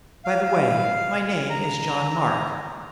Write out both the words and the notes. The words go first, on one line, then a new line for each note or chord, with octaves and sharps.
"By the way, my name is John Mark."
F5
A#5